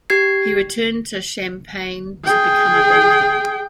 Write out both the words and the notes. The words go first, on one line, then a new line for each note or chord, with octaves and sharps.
He returned to Champaign to become a banker.
G4 G#6 C7
G#4 G5